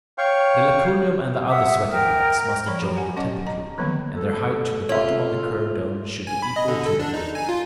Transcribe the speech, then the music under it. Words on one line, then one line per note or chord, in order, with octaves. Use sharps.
The Laconicum and other sweating baths must adjoin the tepid room, and their height to the bottom of the curved dome should be equal to their width.
C#5 F5 G5 C#6
E5 F#5 D#6
A#4 G5 F6
F3 C#5 D5 A#5 B5
G4
F#5 G#5
F#3 C#4 G4 D#5 F#5 D6
D#5 A#5
D3 D#3 F3 F#3 A#3 B3
A3 A4
F4 C#5 E5
G#5
B5
D#5
D3
A4
D4
D#4
G#5
F4